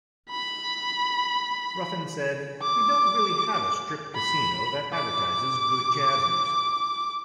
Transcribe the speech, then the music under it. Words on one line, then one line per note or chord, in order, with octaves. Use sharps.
Ruffin said, We don't really have a Strip casino that advertises good jazz music.
B5
D6
B5
D6